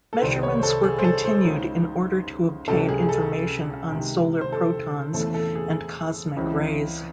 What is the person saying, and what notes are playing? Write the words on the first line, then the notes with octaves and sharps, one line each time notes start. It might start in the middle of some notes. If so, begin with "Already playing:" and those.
Measurements were continued in order to obtain information on solar protons and cosmic rays.
A4
C2 C3 D#3 C5
C#5
C5
A4
G#4
C5
A4
C5
C#2 C#3 G#3 D#4
C#2 C3 F#3 A4
G#4
G#4
A4
C3 D#3 G#3 D#4
C5
A4
E2 C#3 E3 A3 C4 A4
A4
G#4
C#2 C#3 E3 C4